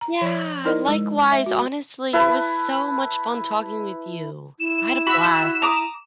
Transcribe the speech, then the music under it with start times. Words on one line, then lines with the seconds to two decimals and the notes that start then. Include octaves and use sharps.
Yeah, likewise, honestly, it was so much fun talking with you. I had a blast.
0.01 A#5
0.21 F3 D5
0.65 D#4 E4 A#4 C5 D5 D#5
0.88 G#3
1.32 E5
1.46 F#4
2.13 E4 B4 A5
4.59 E4 E7
5.07 F#4 B5 E6
5.62 A#5 D6 D#6